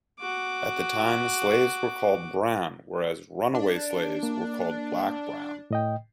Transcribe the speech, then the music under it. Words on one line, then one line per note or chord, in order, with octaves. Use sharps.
At the time, slaves were called "brown", whereas runaway slaves were called "black-brown".
F#4 D6
D4
A#3
A2 D#5 G5